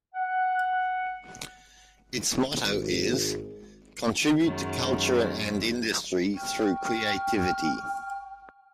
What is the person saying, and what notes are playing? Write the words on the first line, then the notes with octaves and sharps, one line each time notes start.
Its motto is "Contribute to culture and industry through creativity".
F#5
G#1
F#2 D#3 G#3
G5 C#6 F6